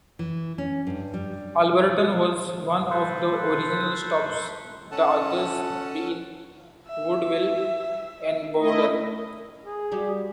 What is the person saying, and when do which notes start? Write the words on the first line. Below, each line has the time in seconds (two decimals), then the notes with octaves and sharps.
Alberton was one of the original stops, the others being Woodville and Bowden.
0.19 E3
0.58 C#4
0.87 G2
1.14 G3
2.91 A4 B4 C5
4.91 C#4 A4 F#5 A5
6.88 E5
8.59 A3 E4 D#5
9.66 G#4
9.91 G3 F#4 G4